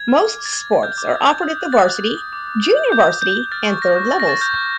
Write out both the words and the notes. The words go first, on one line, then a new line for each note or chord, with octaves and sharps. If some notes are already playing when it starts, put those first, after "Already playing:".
Most sports are offered at the varsity, junior varsity and thirds levels.
Already playing: G#6
F6
D6
D6
A6
D6 G#6
F6
F6 G6
D6
D#6
D#6
D#6
F#6
F#6 A6
D#6
F#6
D#6
D6
G6
G6
G6
D6 G6
G6
G6
G6
F6 A6
C#6
F6 A#6
C#6
F6 A6
A#6
C#6 A6
F6 G6
F6